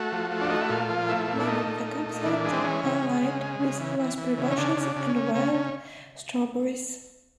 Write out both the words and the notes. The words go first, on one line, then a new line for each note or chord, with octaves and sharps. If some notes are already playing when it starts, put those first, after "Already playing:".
Many of the campsites are lined with raspberry bushes and wild strawberries.
Already playing: A3 F#4
F3
A3
D4
A3 D#4
E4
A#2 F4
F3
A3 E4
A#2
D4
A3 D#4
A#2
A3
A#2
E3 D4
G#3
C4
E3 C#4
C#3
G#3
C#3
G#3
C#3
E3
E3
E3
C#3
C#4
C#3 D4
C#3
D4
C#3
C#4
C#3
C#3 C#4
C#3